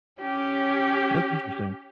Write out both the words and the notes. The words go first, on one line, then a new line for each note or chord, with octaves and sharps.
That's interesting.
C#4 G4